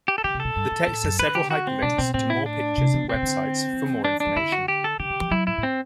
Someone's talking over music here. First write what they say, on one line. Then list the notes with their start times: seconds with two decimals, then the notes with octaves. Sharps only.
The text has several hyperlinks to more pictures and websites for more information.
0.08 G4
0.18 A4
0.24 D3 G4
0.35 C3
0.40 A4
0.45 B2
0.56 G2
0.71 A2
0.87 A2
1.04 F#2
1.19 D3 B4
1.35 G4
1.51 F#4
1.67 C4
1.82 B2 D4
1.98 B2 C4
2.14 A2 C4
2.30 E4
2.46 D4
2.78 C3
2.94 E3
3.04 D3
3.09 C3 C4
3.23 D3
3.73 E3
4.05 D4
4.20 D4
4.27 E3
4.36 D3 E4
4.52 F#4
4.68 G4
4.84 A4
5.00 D3 G4
5.10 D3
5.21 E3
5.31 F#3 E4
5.47 A2 E4
5.58 A2
5.63 C4